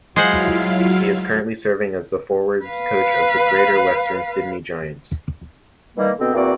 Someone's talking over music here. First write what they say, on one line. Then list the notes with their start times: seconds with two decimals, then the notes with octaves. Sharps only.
He is currently serving as the forwards coach of the Greater Western Sydney Giants.
0.16 F#3 G#3 E4 F4 C5 F5 F#5
2.65 B4 F5
5.97 D#3 E3 G3 A#3
6.19 B2 D3 B3 C4
6.34 E2 A#3 C4 F#4 D5